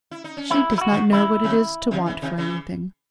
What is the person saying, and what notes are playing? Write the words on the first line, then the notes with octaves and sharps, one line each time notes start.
"She does not know what it is to want for anything."
E4
D#4
C#4
G#3 C4 E4
F#3 A3
E4
F#4
D#3 F#3
C#3 E3 E4
C3 D#3
C3 D#3
C#3 E3
C3 D#3
C#3 E3